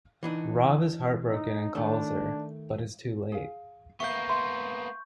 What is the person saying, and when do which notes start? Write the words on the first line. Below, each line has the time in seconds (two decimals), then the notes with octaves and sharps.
Rob is heartbroken and calls her, but it's too late.
0.23 E3 D4 D#4
1.30 D#4
1.75 D#3 A3 D4
3.32 G#4 F5
4.00 A#3 B3 E5 F5 C#6 G6
4.29 E5 C6